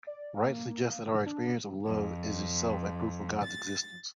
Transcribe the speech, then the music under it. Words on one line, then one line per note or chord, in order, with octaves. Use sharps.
Wright suggest that our experience of love is itself a proof of God's existence.
D5
A#3
D4
F2
A6